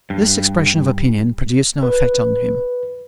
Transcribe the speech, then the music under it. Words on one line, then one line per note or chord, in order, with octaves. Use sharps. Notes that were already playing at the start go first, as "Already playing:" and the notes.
This expression of opinion produced no effect on him.
G2
B4